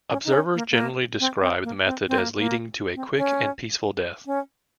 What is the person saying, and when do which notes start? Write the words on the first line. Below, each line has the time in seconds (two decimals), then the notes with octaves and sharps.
Observers generally describe the method as leading to a quick and peaceful death.
0.11 C#4
0.25 D#4
0.33 C#4
0.55 A#3
0.71 A#3
1.20 C4
1.42 C4
1.64 A#3
1.86 C4
2.08 C4
2.18 A#3
2.38 A#3
2.95 C4
3.17 C#4
4.26 C#4